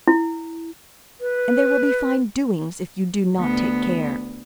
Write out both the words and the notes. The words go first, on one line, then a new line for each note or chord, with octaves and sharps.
"And there will be fine doings, if you do not take care."
E4
B4
D2 B3